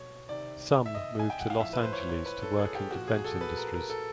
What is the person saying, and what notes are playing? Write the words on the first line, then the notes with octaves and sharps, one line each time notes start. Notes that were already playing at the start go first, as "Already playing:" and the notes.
Some moved to Los Angeles to work in defense industries.
Already playing: B2 C#5
C3 D#3 D5
E5
D#5
G#5
G5
F#5
F5
A2 F3 E5
B4
C5
C#5
C#5
B4
A4
G#4
G4
A#2 F3 F#4
G#4
A4
B4
A#4
A#4
A4